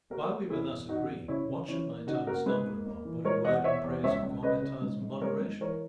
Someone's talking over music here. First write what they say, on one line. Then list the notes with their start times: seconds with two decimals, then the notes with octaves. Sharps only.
While we were thus agreeing, what should my tongue stumble upon but a word in praise of Gambetta's moderation?
0.10 A#3 F#4 A#4
0.30 A#3
0.50 E2 E4 G#4
0.70 E2
0.89 E2 D#4 F#4
1.09 E2
1.28 C#3 C#4 E4
1.48 C#3
1.68 E3 C#4 E4
1.88 A#3
2.07 C#3 D#4 F#4
2.27 A#3 F#4 A#4
2.46 G#2 G#4 B4
2.66 A#3
2.86 A#3
3.05 E3
3.25 G#3 A#4 C#5
3.44 E2 D#5 F#5
3.64 E2 C#5 E5
3.84 E2
4.03 C#2 C#5 E5
4.23 C#2
4.43 C#3 B4 D#5
4.62 C#3
4.82 G#2
5.02 G#2
5.21 G#2 A#4 C#5
5.41 G#2
5.60 E3 A#4 C#5